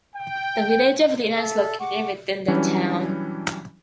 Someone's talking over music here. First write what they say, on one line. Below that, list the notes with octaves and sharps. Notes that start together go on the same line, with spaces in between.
The Village of Lena is located within the town.
G5
A4 E5
F#5 C#6 D6
E3 F#3 G3 C#4 D4 E4